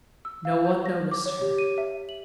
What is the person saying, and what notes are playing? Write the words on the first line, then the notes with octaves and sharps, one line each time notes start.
No one noticed her.
E6
F5
G6
A#6
D6
C#5
G4
D#7
E5
F#7